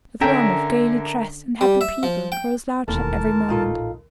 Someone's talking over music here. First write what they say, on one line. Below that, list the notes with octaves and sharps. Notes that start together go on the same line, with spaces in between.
The throng of gaily dressed and happy people grows larger every moment.
D3 C#4 A4 A#4 E5 G5 G#5 A#5
G3
E5
F3
G5
E1 D#2 E3 A3 A#4 A5
A#1 A2 D#4 F4 A4